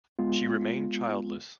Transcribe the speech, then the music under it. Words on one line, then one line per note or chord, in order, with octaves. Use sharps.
She remained childless.
G#3 B3 F4